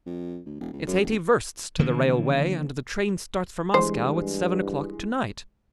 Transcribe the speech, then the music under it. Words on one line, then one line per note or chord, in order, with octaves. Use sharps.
It's eighty versts to the railway and the train starts for Moscow at seven o'clock to-night.
F2
D2
E1
C#2
F#2
E1
D3 E3 F3 A#3
G2 E3 G#3 C5